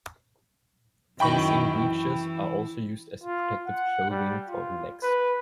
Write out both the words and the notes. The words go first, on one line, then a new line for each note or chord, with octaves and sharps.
Fencing breeches are also used as a protective clothing for the legs.
F#2 D#3 E4 G5 B5 C#6
E3
F4
F#5
G3
F4
B4